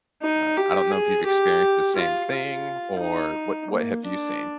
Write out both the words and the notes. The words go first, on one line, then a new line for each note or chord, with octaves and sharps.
Uh, I don't know if you've experienced the same thing? Or what what have you seen?
D#4
G4
G#4
G4
F4
F4
D#4
A#3
D4